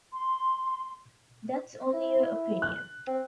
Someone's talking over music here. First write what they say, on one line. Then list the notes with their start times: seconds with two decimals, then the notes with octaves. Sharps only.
That's only your opinion.
0.13 C6
1.94 E4
2.62 F#6
3.07 C4